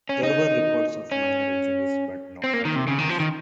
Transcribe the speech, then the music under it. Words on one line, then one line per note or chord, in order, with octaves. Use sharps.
There were reports of minor injuries but no fatalities.
C#4
D#4
C#4
C4
A#3
D#3
C3
C#3
D#3
F3
D#3